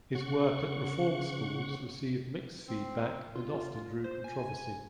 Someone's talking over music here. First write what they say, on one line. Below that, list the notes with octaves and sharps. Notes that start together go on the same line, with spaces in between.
His work at reform schools received mixed feedback and often drew controversy.
C#3 F#5 C#6
C4
F4
C5
G#5